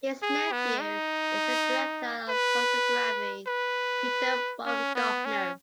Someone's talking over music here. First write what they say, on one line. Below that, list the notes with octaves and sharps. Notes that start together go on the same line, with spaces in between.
His nephew is the director of photography Peter Baumgartner.
G#4
B3
D#4
B4
B4
C#4
B3
C#4